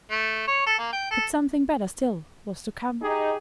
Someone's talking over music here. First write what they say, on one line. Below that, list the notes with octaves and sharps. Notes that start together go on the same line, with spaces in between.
But something better still was to come.
A3
C#5
A4
A#3
G5
A4
D#4 G4 G#4